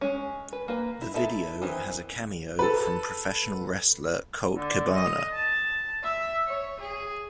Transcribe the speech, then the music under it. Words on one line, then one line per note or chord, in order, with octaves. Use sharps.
The video has a cameo from professional wrestler Colt Cabana.
G#3 C#4
B4
A#3 B4
E4
D#4 E4 A4 E5
D#3 E3 C4
A4 B4
D3
D#5
A5
E5
C#5
G#4